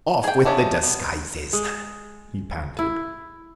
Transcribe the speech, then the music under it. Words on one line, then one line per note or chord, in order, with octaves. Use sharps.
"Off with the disguises!" he panted.
G#4 G5
B3 C#4 D4 E4
B3
G#3
E4